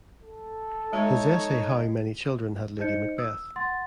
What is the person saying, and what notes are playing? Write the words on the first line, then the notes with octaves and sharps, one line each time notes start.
His essay How many children had Lady Macbeth?
A4
G#3 D#4 F#4 C#5 A#5
D#4 C5 D#5 G6 C#7
D#6 E6
F#5 C6 A6